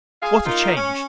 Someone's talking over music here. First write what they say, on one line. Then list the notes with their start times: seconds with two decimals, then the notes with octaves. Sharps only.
What a change!
0.23 G#4 F5
0.45 A#3 D#4 F4
0.75 C#4